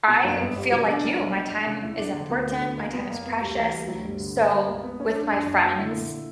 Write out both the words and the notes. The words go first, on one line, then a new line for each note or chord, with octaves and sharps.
I feel like you, my time is important. My time is precious, so, with my friends
B2
F#2 A#3
G1 B3
G1 G3
C#3 F#3
B2 D4
B1
B1
B1
E1
C#3
E1 E4
E1 D4
D3
D2 B3
D3 B3
D2
E2 A#3
B2 B3
F#1 A#3
F#1 B3
D2 G3
E3 A#3
D2 G3
D2 F#3
G1 G3
D3
G1 A#3
G2 G3
C#2 A#3
C#2 B3
C#2 C#4
C#2 D4
F#1 D4
F#2
F#1 F#4
D3 E4
A#2